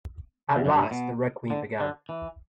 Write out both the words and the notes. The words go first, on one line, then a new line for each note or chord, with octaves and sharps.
At last the Red Queen began.
E2
F#2
G2
A2
B2
D3
D3
E3